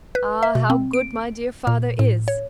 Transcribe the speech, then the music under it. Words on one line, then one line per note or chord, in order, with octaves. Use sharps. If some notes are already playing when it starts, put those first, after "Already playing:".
"Ah, how good my dear father is!"
B4
E5
B2
C4
D7
A#2
A2
C#5